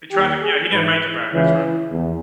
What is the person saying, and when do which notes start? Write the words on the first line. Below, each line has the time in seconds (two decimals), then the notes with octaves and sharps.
He tried to, yeah. He didn't make it back, that's right.
0.11 D#2 D#3 G4
0.41 G#4
0.72 G#2 E3 B4
1.32 C#2 C#3 E3
1.91 E2